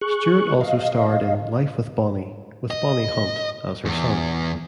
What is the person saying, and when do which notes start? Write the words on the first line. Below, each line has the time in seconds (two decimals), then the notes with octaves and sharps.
Stewart also starred in "Life With Bonnie" with Bonnie Hunt, as her son.
0.01 G#4 C#6 F#6
0.61 D#5 F5
2.71 D#5
3.85 E2